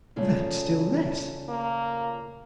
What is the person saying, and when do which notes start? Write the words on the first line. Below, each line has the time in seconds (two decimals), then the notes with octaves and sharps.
"That still less."
0.16 A#2 C#3 A3
1.49 A#3